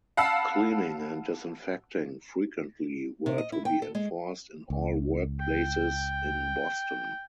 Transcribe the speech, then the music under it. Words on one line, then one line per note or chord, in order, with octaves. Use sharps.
Cleaning and disinfecting frequently were to be enforced in all workplaces in Boston.
F5 F#5 A5 B5 E6
C3
D#5
E4
G5
A4
G#3
C#2
G5